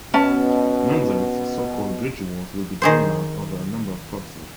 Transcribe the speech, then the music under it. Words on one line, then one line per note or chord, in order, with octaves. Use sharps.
Nonetheless, the so-called "Bridge Wars" would be drawn out over a number of proxies.
B2 C#4 A5
D#3 G#4 C5